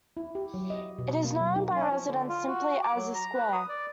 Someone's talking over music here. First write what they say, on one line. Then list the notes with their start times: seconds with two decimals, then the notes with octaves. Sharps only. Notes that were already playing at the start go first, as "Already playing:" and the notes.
It is known by residents simply as "the Square".
0.17 E4
0.35 G4
0.54 F#3
0.70 D#5
0.98 B2
1.25 A#3
1.41 F#3
1.56 D#4
1.75 C#4
1.90 F3
2.08 D3
2.29 F4
2.48 F#4
2.82 D6
2.95 F#3
3.15 A#5
3.34 B4
3.53 D#6
3.69 D5